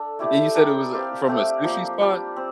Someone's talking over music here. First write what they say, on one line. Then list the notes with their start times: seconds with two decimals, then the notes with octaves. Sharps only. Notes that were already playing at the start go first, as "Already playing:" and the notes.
And you said it was, uh, from a sushi spot?
Already playing: D4 A4
0.19 A3 E4 G4 D5
0.55 D4 G4 A#4 D5
0.92 C4 G4 D5 F5
1.27 A3 C4 G4 D5
1.64 F3 A#3 F4
2.01 G3 D4 G4
2.36 C4